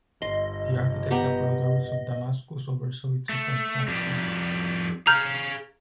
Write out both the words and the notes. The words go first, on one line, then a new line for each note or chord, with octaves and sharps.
The architect Apollodorus of Damascus oversaw its construction.
G1 D#5 C6
B3 G4 A#5
A3
F2 G3
G#4 F5 A#5 F6 G6